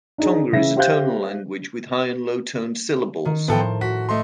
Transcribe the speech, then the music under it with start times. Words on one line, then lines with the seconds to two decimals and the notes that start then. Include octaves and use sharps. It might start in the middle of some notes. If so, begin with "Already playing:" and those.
Tonga is a tonal language, with high and low-toned syllables.
0.18 D4 D#4 G#4
0.53 C#3 E3 E5 A#6
0.77 G4 C5 E5 F5 F#6 G6
3.25 D#3
3.48 A2 F3 B3 A4 G5
3.60 C5
3.81 F#4 B6
4.09 A3 D#5 C6